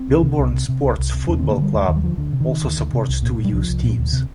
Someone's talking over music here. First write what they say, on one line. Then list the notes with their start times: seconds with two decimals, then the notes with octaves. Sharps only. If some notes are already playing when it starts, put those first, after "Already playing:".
Milborne Sports Football Club also supports two youth teams.
Already playing: C4
0.08 C2
0.23 C3
0.39 C2
0.53 C3
0.68 C3
0.84 C2
0.98 C2
1.13 C3
1.28 D#2 D4
1.39 C4
1.43 D3
1.50 A#3
1.57 D3 G3
1.73 D#2 G#3
1.88 D#2 D#3
1.96 G3
2.03 D3 F3
2.17 D2 D3
2.33 C3
2.41 D#3
2.48 C3
2.63 D2
2.78 D2
2.93 C3
3.09 C2
3.23 A#2
3.38 A#2
3.45 G3
3.53 C2 F3
3.68 C2
3.83 A#2
3.98 D2
4.13 C3